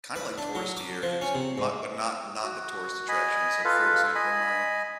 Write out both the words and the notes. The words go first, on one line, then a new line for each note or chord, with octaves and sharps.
kinda like touristy areas, not but not not the tourist attractions. Like, for example, my
B4
D4
F#3
D6
F3
C#4
C3
G#2
F#4
D#5 G#5 B5
F4 A4 B4 F5
D#5 G#5 B5